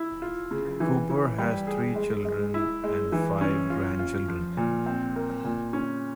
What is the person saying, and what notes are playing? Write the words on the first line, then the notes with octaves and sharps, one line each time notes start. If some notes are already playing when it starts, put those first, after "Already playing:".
Cooper has three children and five grandchildren.
Already playing: E4
F4
C#3
E3
E3
G3
G#4
G#3
G#3
E4
G#3
E3
C#4
F4
F4
F3
A#2
C4
A#4
A#2
C#4